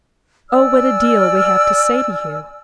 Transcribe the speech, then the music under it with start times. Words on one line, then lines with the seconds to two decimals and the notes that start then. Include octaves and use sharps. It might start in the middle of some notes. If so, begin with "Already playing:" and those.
'O what a deal we have to say to you!
0.50 D5 G#5 E6 F6